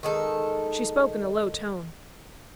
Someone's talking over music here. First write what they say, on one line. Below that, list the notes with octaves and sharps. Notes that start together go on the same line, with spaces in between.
She spoke in a low tone.
D#3 G#3 A4